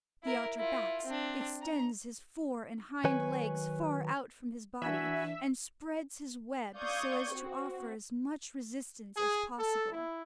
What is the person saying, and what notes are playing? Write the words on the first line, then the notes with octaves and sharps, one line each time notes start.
The otter backs, extends his fore and hind legs far out from his body, and spreads his web, so as to offer as much resistance as possible.
E4 A#4
E4 F4
C4 D4
A#5
D#3 F#3 B4 C#5 G#5
E3 D4 F#4 E5 G#5 B5
D5 F5 C#6 D#6 G6 G#6
C4 F#4
G#4
A4
E4